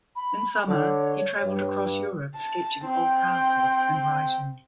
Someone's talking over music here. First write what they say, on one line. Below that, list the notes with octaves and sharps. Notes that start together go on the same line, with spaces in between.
In summer, he traveled across Europe sketching old castles and writing.
B5
D3 C#5
G2
A5
C4 G5